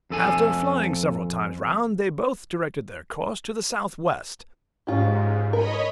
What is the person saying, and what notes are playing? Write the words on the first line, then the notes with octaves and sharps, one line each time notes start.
After flying several times round, they both directed their course to the south-west.
F2 A4 G#5
G#2 C#4 F4 G4
A#4 C#5 D#5 B5